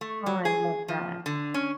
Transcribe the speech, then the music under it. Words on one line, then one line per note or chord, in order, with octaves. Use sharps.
Oh, I love that.
A3
F#3
G#4
F3
D3
C#4